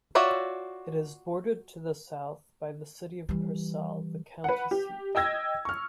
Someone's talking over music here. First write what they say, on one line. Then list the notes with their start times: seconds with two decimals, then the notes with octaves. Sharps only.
It is bordered to the south by the city of Pearsall, the county seat.
0.15 F4 F#4 C#5 D5 E5
3.29 E3 G3
4.44 B4 F#5
4.71 G4
5.15 D#5 G5 E6 G#6 A#6
5.65 C#6 F6